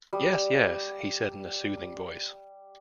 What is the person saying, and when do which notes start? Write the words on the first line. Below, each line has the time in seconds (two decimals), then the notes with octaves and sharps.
"Yes, yes," he said, in a soothing voice.
0.13 G3 D#6